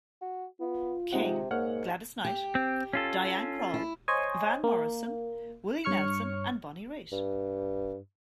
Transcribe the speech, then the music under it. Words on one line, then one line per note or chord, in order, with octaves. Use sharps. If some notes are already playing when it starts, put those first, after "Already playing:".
King, Gladys Knight, Diana Krall, Van Morrison, Willie Nelson and Bonnie Raitt.
F#4
B3 F4
C3 G#3 D#4 F#5
G#2 A#3 C#5 F#5 F6
G4
C4
C#4 F4 A4
E4
C5 C#5 D#5 G#5 C6
A#3
G2 C#5 C#6 F6 C#7
G2